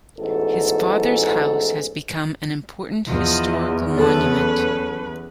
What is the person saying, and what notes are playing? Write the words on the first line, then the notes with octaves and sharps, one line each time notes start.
His father's house has become an important historical monument.
A1 E2 G#2 F#4 A4
E2 F3 D#5
E5
F#3 C#4 A4 B4 A5